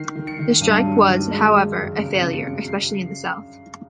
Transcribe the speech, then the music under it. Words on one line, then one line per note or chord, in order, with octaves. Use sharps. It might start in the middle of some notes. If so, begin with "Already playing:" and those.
The strike was, however, a failure, especially in the South.
Already playing: D#3 C7
D#3
C#7
D#3
G2 D#7
F#3
D#3
G#3
G#3
F#2
C#3 D7
C#3
C#7
C#3
C7